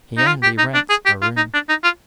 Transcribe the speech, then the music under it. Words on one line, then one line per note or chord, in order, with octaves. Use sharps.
He only rents a room.
D#4
F4
G4
D#4
D4
G#4
G4
F4
D#4
D4
D#4
F4